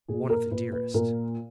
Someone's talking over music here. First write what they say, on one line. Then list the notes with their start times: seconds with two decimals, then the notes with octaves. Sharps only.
One of the dearest.
0.08 A#2 G#4
0.30 A#4
0.51 A#2 B4
0.72 B4
0.94 A#2 A#4